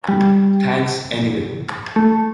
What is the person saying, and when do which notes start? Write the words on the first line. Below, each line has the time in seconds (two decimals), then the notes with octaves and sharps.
Thanks anyway.
0.09 G3
1.96 A3